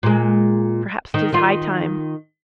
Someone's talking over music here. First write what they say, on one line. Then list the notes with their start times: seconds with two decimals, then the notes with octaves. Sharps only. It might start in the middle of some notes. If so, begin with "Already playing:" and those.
Perhaps 'tis high time.
0.03 A#2 G#3
1.14 D#3
1.33 D#3 F4